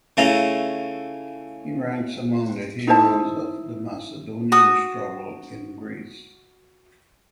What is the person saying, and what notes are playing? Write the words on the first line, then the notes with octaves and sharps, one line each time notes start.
He ranks among the heroes of the Macedonian Struggle in Greece.
C#3 A3 E4 F4 A#5
D#4 E4 C5 A5
F#4 D#6